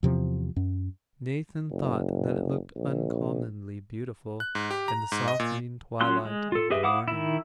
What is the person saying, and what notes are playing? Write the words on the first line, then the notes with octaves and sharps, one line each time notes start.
Nathan thought that it looked uncommonly beautiful in the softening twilight of the morning.
E2 C3 F3
F#2
F#1
A#1
F#6
G#2
G4
A#5
G#2
D#5
A#2
F#3 C#4 F4 C6 F#6
G#3
F4 A4
G4 G#4 B4 D#5 E5
E4 F5 F#5 D6 D#6
D#3 E4